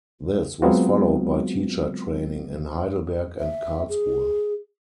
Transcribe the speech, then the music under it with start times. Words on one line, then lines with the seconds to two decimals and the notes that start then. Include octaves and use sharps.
This was followed by teacher training in Heidelberg and Karlsruhe.
0.62 F#3 G#3 B3 C4 F4 F#4
3.39 E5
3.89 G#4